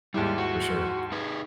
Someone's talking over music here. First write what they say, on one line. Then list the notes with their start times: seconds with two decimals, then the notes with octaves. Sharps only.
for sure.
0.14 D#2 G#2 G3 E4
0.38 F#4
1.12 D#4 G#4 B4